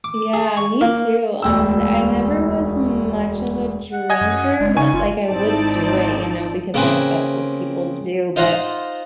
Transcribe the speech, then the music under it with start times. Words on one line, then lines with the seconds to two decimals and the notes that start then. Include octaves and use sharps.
Yeah, me too. Honestly, I never was much of a drinker, but, uh, like, I would do it, you know, because I've that's what people do, but
0.04 D6
0.34 G#4
0.57 C#6
0.81 A#3
1.42 E1 D2 G5 E6
3.92 F#5
4.10 D#5 G#5 G#6
4.21 F#2
4.60 F#1 G#3
4.77 C#3 D#4 G#5 C#6
4.93 G1 F4
5.27 G#1 C4 D#4 E4 D5 A5
6.74 C#3 A#3 C4 G#4 B4
8.36 D#4 F4 C5 F5 F#5 A#5